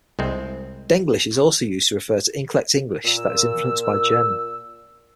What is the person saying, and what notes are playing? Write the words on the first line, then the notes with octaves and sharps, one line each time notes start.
Denglish is also used to refer to incorrect English that is influenced by German.
C2 G#3 C4
A#2 E6